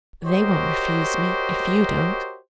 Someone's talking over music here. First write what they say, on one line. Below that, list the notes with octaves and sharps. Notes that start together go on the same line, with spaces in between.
'They won't refuse me, if you don't.'
F#4 G4 A#4 C5 C#5 D#5